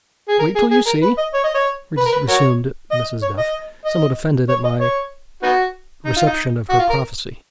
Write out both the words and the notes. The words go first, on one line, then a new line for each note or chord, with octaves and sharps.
"Wait till you see," resumed Mrs. Duff, somewhat offended at my reception of her prophecy.
G#4
A#4
G#4
G#4
A#4
B4
D#5
C#5
D#5
C#5
B4
A#4
B4
F#4 A#4 C#5
D#5
C#5
D#5
D#5
C#5
D#5
C#5
B3 D#4 F#4
D#4
F4
D#4
F#4
F4
A#4